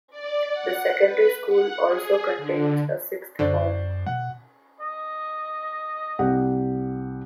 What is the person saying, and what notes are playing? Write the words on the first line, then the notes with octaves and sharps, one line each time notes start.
The secondary school also contains a sixth form.
D5
F#5
B4
F#5
G#4
D3
F#2 D3 F#4 C5 D5
B2 F#5
D#5
C2 G4 F#5